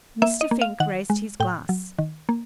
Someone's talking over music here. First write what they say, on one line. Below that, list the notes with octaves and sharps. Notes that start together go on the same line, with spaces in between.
Mr. Fink raised his glass.
A#3 E5
D#5
A#3
F5
D#3 F#5
G#3
A2 G5
F#3
D#3
A#3